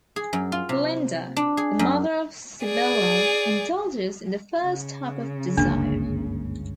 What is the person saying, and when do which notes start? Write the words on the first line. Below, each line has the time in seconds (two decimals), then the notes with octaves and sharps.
Linda, the mother of Sibylla, indulges in the first type of desire.
0.16 G#4
0.33 F#2
0.52 F4
0.69 C3
1.37 D4
1.57 G#4
1.79 F#2
2.63 G#4 D5
4.64 C#3
5.57 G1 C#2 F#2 A#3 D4 G#4